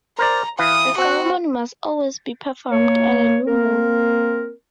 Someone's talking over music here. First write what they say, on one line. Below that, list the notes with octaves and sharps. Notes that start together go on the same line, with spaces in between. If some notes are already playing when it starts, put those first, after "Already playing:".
The ceremony must always be performed at the new moon.
A#4 C5 D5 A#5
E3 B4 F5 D#6
C4 F#4 F#5
A#3 C#5
A#3 C4 A#4